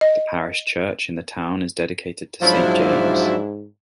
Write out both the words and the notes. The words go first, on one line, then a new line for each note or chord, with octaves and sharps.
The parish church in the town is dedicated to Saint James.
D#5
G#2 F3 F#3 D4 E4